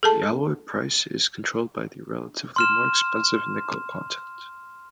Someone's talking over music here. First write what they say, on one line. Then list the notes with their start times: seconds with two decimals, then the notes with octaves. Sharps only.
The alloy price is controlled by the relatively more-expensive nickel content.
0.03 G#4 A4 A5
2.56 C6 F6 E7